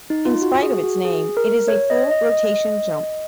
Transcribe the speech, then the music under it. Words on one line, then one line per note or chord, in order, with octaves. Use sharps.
In spite of its name, it is a full rotation jump.
D#4
F4
F#4
G#4
F#4
G#4
A#4
C#5
D#5
D#5
D#5